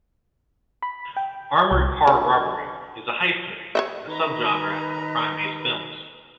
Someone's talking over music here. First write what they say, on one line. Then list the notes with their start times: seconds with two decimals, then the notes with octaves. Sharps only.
"Armored Car Robbery" is a heist movie, a subgenre of crime-based films.
0.83 B5
1.17 G5
1.71 C2
2.07 D3
3.75 C#5 D#5 E5
4.08 D#3 B4 D#5 A#5